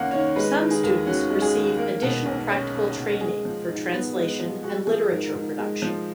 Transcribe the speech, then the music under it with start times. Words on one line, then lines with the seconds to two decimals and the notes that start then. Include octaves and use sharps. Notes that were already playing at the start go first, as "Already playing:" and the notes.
Some students receive additional practical training for translation and literature production.
Already playing: D#2 D#3 A#3 C#4 F#5
0.11 D#3 C#5
0.36 G#3 B4
0.59 D#3
0.71 G#4
0.83 D#2
1.06 C#4 F#4
1.30 G#3
1.42 G#4
1.55 D#3
1.77 A#3 A#4
2.02 B2
2.26 B1
2.49 C#4
2.73 A#3
2.96 B2
3.21 G#3 G#4
3.45 F3
3.68 G#2
3.92 B3
4.16 G#3
4.40 F3
4.63 G#3 F#4
4.87 F3 G#4
5.11 G#2 A#4
5.35 G#2
5.59 G#3
5.82 F3